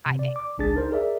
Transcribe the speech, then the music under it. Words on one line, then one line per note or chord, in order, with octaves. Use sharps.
I think.
C3
D5
D6
G#1 C#2 D4 G#4 A6
D#4 A#4 C5
G#4 A#4 D5 E5